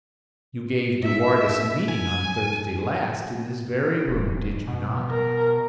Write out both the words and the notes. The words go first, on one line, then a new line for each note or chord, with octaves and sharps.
"You gave de Wardes a meeting on Thursday last in this very room, did you not?"
E5
G#5
D#1
B2
A#4